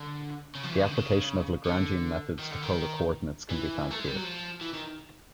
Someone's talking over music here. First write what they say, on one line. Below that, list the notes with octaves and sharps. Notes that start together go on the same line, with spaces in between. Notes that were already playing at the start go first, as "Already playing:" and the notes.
The application of Lagrangian methods to polar coordinates can be found here.
Already playing: D3
C#3
F3
E3
D#3
D3
C#3
D3
D#3
D3
D#3
E3
A3
G#3
G3
F#3
F3
E3
D#3